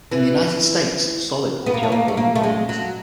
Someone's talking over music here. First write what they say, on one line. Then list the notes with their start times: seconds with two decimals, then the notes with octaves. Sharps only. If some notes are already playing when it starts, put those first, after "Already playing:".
In the United States, solid or gel forms are dominant.
0.11 E3
1.66 B3
1.74 A#3
1.83 A3
1.92 A#3
2.08 A3
2.17 A#3
2.35 A3
2.43 G#3
2.69 F#3